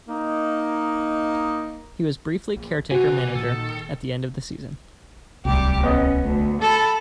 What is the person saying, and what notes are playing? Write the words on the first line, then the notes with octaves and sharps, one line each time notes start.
He was briefly caretaker manager at the end of the season.
A#3 D#4
A#1
C3 F#4 B4 G#5
A#2 D#3 A4
D1 C2 G3 G4
B3 C#4 D#5
D2
A4 A5 B5